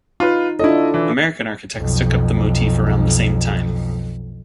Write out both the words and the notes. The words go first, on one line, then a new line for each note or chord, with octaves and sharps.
American architects took up the motif around the same time.
D#4 F4 B4
D4 E4 F4 A4 D#5
E3
B1 F2